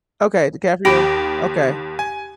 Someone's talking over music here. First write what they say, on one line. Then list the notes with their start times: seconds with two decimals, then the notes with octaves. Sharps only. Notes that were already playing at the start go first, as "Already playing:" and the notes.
Okay, DiCaprio. Okay.
0.85 D#2 G4 B5 A#6
1.99 G#5